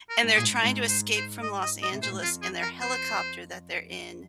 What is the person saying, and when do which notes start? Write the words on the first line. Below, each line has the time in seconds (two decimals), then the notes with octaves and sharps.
And they're trying to escape from Los Angeles, and their helicopter that they're in
0.10 A#4
0.23 G#2
0.35 A#2 G#4
0.42 G#2
0.63 G#2
0.89 C5
1.16 C5
1.43 D#5
1.62 D#5
1.83 D#5
1.92 C3
2.02 A#2 C5
2.11 G#2
2.23 F2 F4
2.42 G#4
2.62 A#4
2.81 C5